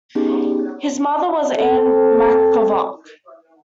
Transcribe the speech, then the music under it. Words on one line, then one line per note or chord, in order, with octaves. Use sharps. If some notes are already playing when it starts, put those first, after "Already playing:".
His mother was Anne McGavock.
B3 C#4 D#4 G4 G#4
C4 A4